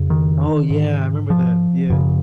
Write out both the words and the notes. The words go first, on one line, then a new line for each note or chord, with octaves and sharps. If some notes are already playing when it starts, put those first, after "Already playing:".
Oh yeah, I remember that yeah.
Already playing: F2 C#3
D#3
G#2
F3
F#2 C#3